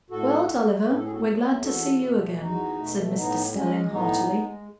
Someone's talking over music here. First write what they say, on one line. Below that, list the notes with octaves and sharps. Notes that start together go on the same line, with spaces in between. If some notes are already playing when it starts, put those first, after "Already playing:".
"Well, Tulliver, we're glad to see you again," said Mr. Stelling, heartily.
A2 F#4 A4
F#3 A3
A2 B4
A4
G#4
F#4 A4
F#3 A3
E2 F#4 A4
B2 A3
E2 D#4 F#4
B2 A3
A2 B3 D#4
G#3 C#4
A2 B3 D#4
G#3